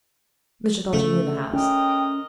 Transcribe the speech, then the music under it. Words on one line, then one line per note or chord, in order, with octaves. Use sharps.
Mr. Thornton knew the house.
C#3 A3 A4
C#4 A#4 D#5 G5